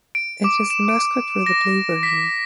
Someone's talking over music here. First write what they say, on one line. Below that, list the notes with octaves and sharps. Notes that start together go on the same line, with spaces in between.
It is the mascot for the "Blue" version.
D7
D6
E7
D7
A#6
B6